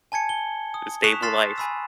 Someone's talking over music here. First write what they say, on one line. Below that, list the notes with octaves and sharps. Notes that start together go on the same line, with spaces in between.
the stable life.
G#5 A5 G#6 C#7
G7
D#6
C#6 D#6 F#6 B6 E7 F7
C6 F6 A6 B6 C7 E7
G#5 B5 E6